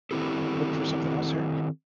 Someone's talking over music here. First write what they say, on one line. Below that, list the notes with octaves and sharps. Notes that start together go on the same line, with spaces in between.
you know, look for something else here,
D#3 F3 C4 E4 G4 A4